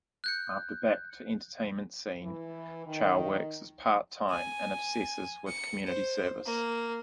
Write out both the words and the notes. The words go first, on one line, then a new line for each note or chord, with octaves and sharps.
After back to entertainment scene, Chow works as part-time and obsesses with community services.
F#6 G6 C#7
E3
D#3
G#5
C#7
C5
A#3